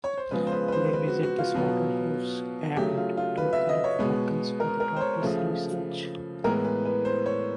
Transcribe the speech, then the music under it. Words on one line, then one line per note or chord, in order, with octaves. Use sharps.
They visit the slaughterhouse yard to collect organs for the doctor's research.
C#5
C5
C#3 F3 G#3 B3 B4
C5
B4
B4
C5
B4
F#4
F#4
F4
B2 F#3 B3
C#3 F#3 A3 G4
F4
F4
B4
E5
D#5
C#5
B2 G#3 B3
A#4
A#4
C5
C#5
C#3 F3 A3
A2 E3 G#3 B3 A#4
B4
B4
C5
C#5